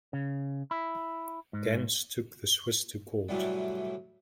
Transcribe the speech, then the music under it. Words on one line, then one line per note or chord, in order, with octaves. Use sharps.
Ganz took the Swiss to court.
C#3
E4
G#2
A2 C3 E3 F#3 G3